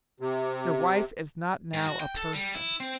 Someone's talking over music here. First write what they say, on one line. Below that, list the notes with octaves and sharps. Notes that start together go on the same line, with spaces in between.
Your wife is not now a person.
C3
G#2
F#4
G5
A4
G3
E4
C4